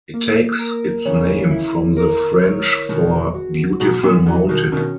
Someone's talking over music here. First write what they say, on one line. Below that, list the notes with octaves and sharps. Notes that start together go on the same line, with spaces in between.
It takes its name from the French for "beautiful mountain".
A#3
A#4
C#3 E3 C#5
E4
A#4
C#5
B2 D#3 G#3
F#4
G#2 B2 F#4
F#2 A#2
C#3 E3 F#4
B2 D#3
B2 D#3 C#4